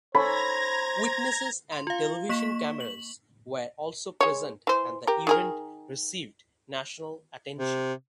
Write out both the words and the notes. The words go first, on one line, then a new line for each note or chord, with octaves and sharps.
Witnesses and television cameras were also present and the event received national attention.
A4 C5 C#5 G#5 A#5 B5 G#6 A#6
C6
F4 F5
A#3 C#6 B6 E7
F#7
G#3 C#5
E3 C5
G4 A#4
D#3 G#4 A#4
C3